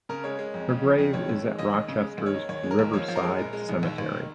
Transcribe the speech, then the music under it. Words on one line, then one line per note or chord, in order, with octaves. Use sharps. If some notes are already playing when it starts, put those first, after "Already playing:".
Her grave is at Rochester's Riverside Cemetery.
C#3 A#4
G#3 C#5
G#3
F2
C#3
F3
F2
D#2 C#5
D#2
G#3
D#2 D#5
D#2
C#3
G#3
D#2
C#5
D#3
D#2 C#5
G#3
A#4
D#2
F3 C#5
F3
A#4
G#3
A#1
G#3
A#1
D#2
D#2
D#3